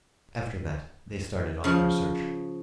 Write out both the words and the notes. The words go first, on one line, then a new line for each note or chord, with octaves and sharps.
After that, they started on their search.
C#3 F3